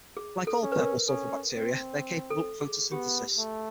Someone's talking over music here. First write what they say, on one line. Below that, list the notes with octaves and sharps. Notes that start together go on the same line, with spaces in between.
Like all purple sulfur bacteria, they are capable of photosynthesis.
G#4
A4
C#4
B4
A#4
C#4 A4
C4
A4
G#4
B3 G4
A3